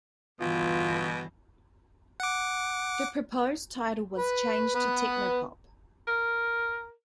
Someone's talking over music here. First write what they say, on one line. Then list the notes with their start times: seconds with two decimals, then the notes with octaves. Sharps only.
The proposed title was changed to "Techno Pop".
0.40 G1 B2 E3 F4
2.20 F#5 D6
4.17 B4
4.75 B3 B4
6.07 A#4